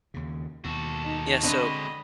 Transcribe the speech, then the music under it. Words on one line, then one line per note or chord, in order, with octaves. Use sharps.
Yeah, so
D#2 C#3
D#2 B2 F#4 A4
D#4
D3 G#3 C4 D4 F#4 D#5 B5